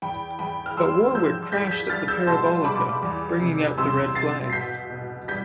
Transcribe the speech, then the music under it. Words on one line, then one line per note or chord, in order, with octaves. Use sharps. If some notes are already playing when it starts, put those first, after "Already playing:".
But Warwick crashed at the Parabolica, bringing out the red flags.
E2 G5 B5
E2 G5 B5
F6
E2 C6 E6
F3 E6 G6
G3 G6 B6
G6 B6
G3 F6 A6
E6 G6
B2 A5 C6
G3 B5 D6
E2
C3
C3 C6 E6
C3 A6 C7
C7
B2 G6 B6
B2
G3 G6 B6